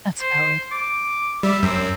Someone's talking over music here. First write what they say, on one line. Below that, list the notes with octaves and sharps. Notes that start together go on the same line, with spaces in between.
That's valid.
C5
D6
G3 E5
F#2 C4